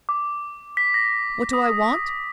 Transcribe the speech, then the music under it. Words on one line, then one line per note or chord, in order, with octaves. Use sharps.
What do I want?
D6
B6
A#6
D#6